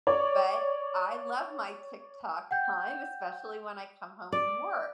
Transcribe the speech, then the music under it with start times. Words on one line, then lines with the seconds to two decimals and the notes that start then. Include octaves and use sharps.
but I love my TikTok time, especially when I come home from work,
0.07 C#5 D5
2.51 F#5 G5 G6
4.32 D5